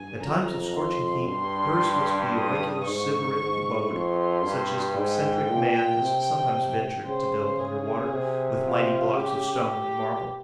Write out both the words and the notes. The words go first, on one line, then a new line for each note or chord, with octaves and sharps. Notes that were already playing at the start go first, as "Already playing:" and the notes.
At times of scorching heat, hers must be a regular sybaritic abode, such as eccentric man has sometimes ventured to build under water, with mighty blocks of stone and marble.
Already playing: G2 G#5
F2 A#5
C6
G2 C6
D#6
G#2 C#6
G#2
F2 C6
G2
G#2 G5
A#2
C3
C#3 C5
G#4
C3
F4
C#3 G4
G4